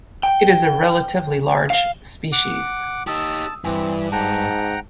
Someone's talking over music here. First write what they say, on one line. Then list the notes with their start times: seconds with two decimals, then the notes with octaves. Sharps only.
It is a relatively large species.
0.23 G5
1.70 F5
2.32 F#5 D6
3.07 D#4 G4 A5 D#6 E6
3.65 G2 E3 C4 G#5
4.12 G#2 F#5 G5 A5 A#5